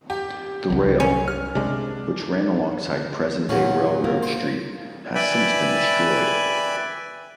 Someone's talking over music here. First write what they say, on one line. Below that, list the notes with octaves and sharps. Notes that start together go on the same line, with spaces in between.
The rail, which ran alongside present-day Railroad Street, has since been destroyed.
G4
C2 F#3
C#4
F6
C3 G#3 D4
E2 A#2 F#3 C#4
A#3
C5
B4 D5 E5 G5 G#5 B5